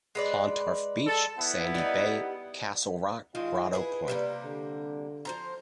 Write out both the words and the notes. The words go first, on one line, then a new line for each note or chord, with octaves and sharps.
Clontarf Beach, Sandy Bay, Castle Rock, Grotto Point.
G#3 B4 D5
A4
B3 E4 F#5
G3 D#4
D#3 G#3 C4 F4
E4 G#4 B4
C3 G3 A#3
D3
F3 C5 A#5